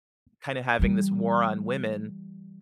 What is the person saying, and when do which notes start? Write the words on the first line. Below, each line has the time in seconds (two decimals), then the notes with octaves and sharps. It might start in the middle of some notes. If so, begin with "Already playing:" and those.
kinda having this war on women,
0.79 E3 G3